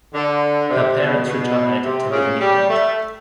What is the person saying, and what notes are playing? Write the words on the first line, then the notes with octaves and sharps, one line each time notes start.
Her parents retired to live in England.
D3
C3
B2
B2
C3
C#3
G3
A3